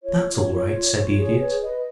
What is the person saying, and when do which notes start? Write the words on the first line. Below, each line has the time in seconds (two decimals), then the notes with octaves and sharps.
"That's all right," said the Idiot.
0.04 F4 C#5
0.26 F4
0.48 F4
0.71 F4
0.94 F4
1.16 G#4
1.38 B4 C#5
1.61 B4 D#5